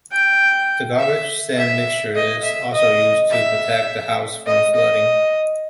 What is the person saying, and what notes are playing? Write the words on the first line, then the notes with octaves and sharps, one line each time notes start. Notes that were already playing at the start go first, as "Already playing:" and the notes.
The garbage-sand mixture is also used to protect the house from flooding.
G5
E5
E5
D#5
E5
D#5
E5
D#5
D#5